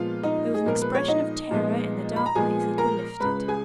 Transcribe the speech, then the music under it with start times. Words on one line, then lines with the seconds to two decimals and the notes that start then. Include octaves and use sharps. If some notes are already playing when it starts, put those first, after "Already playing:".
There was an expression of terror in the dark eyes that were lifted.
Already playing: A#2 F3 G#3 B3 F4 F5
0.23 D#4 D#5
0.54 G#4
0.66 A#2 F3 G#3 B3 A#4
0.81 B4
0.95 C#5
1.08 D#4 D#5
1.51 A#2 F3 G#3 B3
2.16 B5
2.26 A#5
2.35 A#2 F3 G#3 B3 G#4 G#5
2.78 A#4 A#5
3.20 C#2 C#3 G#3 B4 B5
3.48 G#4 G#5